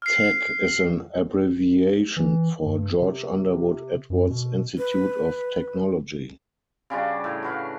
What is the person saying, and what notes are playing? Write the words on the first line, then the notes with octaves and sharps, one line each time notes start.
Tech is an abbreviation for "George Underwood Edwards Institute of Technology".
F6 C7
E3
G2
C3
F#2
B2
B4
C#3 G3 D4 F#4
A2
F#4 B4 F5